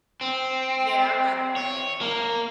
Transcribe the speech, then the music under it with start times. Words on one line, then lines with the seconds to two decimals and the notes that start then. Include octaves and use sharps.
Yeah, I'm not doing that.
0.21 C4
1.56 C#5
2.01 A#3